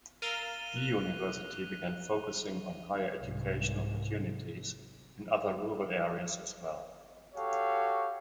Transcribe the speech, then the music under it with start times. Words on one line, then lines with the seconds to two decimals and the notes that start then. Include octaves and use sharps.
The university began focusing on higher education opportunities in other rural areas as well.
0.22 A#4 F5 E6 A6 D#7 F7 G7
0.76 F#6
3.16 C2 G#2
7.35 F#4 G4 A4 C#5 F5